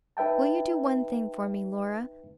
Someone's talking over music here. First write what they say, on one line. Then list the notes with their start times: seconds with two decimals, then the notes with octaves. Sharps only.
'Will you do one thing for me, Laura?
0.17 D#4 B4 E5 G5 A5